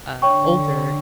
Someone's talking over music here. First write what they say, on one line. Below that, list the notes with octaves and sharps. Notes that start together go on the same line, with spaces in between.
uh, older,
D3 C#5 G5 C#6